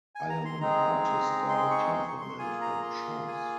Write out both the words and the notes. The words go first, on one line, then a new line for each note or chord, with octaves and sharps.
I am an artist by temperament and choice.
G#5
A#5
C6
G#3 C4 D#4 G#4 A#5
C6
C#6
C6
C#6
C6
A#3 F4 G#4 G#5
A#5
C6
G#5